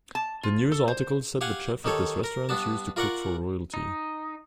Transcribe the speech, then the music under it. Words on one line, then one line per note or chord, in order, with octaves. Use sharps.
The news article said the chef at this restaurant used to cook for royalty.
A5
F4
A4
C5
G4 F5 F#5 G#5
D#3 G4 A4 C#5
A#4
G2 B3 D4 A5
F4 A#4 D5 F#5 C#6
D#4